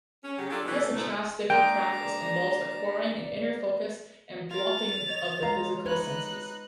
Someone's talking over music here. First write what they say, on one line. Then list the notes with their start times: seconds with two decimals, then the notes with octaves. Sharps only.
Hesychastic practice involves acquiring an inner focus and blocking of the physical senses.
0.24 C#4
0.38 C#3 F#3 G4
0.50 F#3 D4 F4 G4 A4
0.65 B2 E3 G3 G#3 B3 C#4
0.83 A3
0.95 A#2 D3 F3 A3 B3 E4
1.50 G#3 A#3 D4 D5 G5 A#5
4.51 F4 A#4 A6 F7
5.08 C#5 D#5
5.43 G#3 F4 D#5 F5 A#5
5.86 D#4 B4 C#5 F#6